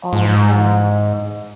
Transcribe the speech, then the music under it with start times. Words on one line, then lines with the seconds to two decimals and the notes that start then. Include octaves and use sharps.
All the time.
0.13 G#2